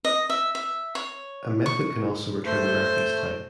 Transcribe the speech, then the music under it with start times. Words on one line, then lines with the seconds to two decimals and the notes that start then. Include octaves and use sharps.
A method can also return a reference type.
0.05 D#5
0.30 E5
0.55 E5
0.95 C#5
1.66 C#6
2.46 A3 C5